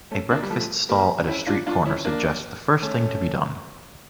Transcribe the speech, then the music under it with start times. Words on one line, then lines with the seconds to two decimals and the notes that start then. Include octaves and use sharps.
A breakfast-stall at a street-corner suggests the first thing to be done.
0.11 A3 C#4
0.31 A#3 D4
0.42 G3
0.50 F3 A3
0.89 G3 A#3
1.27 C#4 E4
1.47 D4 F4
1.66 D4 F4
1.85 C#4 E4
2.05 A#3 D4
2.82 A3 C#4